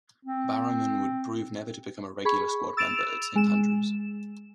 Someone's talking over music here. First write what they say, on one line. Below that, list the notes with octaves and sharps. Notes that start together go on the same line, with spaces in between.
Barrowman would prove never to become a regular squad member at Saint Andrew's.
C4
G#4 B5 C#6
E6 A6 D7 E7 F7
G#3 E7